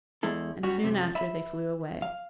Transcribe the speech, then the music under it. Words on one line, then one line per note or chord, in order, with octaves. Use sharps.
And soon after they flew away.
E2 G#3 E4 A4
F#2 G3 F#4
F#2 C3
E5 B5
F5